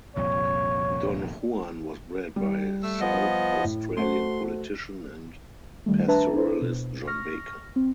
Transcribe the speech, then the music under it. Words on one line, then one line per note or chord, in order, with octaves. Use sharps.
Don Juan was bred by South Australian politician and pastoralist John Baker.
C2 F2 A#2 C#5
G3
A3 E6
F3 B3 D#5
A2
A3 F#4 C5 C6
D#3 G3 A3
D4 B4 E5 A5 A#5
D4 E4 A4 B4 C5
B2
C#6 F6 A#6
C4